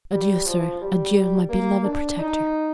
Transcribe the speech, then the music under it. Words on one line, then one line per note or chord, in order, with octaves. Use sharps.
"Adieu, sir, adieu, my beloved protector."
G3
F3
G3
A#3
D4
D#4